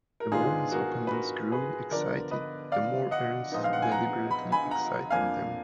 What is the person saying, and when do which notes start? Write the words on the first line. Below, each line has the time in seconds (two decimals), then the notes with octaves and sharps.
The more his opponents grew excited, the more Ernest deliberately excited them.
0.20 A#4
0.31 G#2 D#3 G#3 B3 D4 F4 G#4
0.71 F#4 A#4
1.07 B4
1.12 F#4 A#4
1.52 G#4 B4
1.91 D3 F3 B3 A#4 D5
2.31 B4 D#5
2.72 D5 F5
3.11 D#5 F#5
3.51 A#2 F3 G#3 B3 D#4 D#5
3.64 F5
3.73 F#5
3.82 G#5
3.91 F#5 A#5
4.31 B5
4.52 G#5 B5
4.71 F#5 A#5
5.10 F2 F3 A#3 D4 F5 G#5